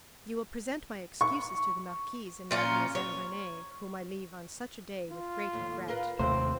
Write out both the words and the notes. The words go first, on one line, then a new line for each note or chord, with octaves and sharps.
"You will present my excuses to the marquise and Mademoiselle Renee, whom I leave on such a day with great regret."
C#6
A#2 C#4 F4
C#5
F4
D#2 A2
F4 A#4 B4
D#2 C3 A3 C4 C5